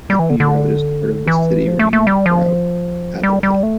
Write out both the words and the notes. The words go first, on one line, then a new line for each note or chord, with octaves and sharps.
Hackney Road is part of the City Ring Route, Adelaide.
G3
E3
D3
D3
E3
F3
A3
A3
G3
F3
G3
G3
A3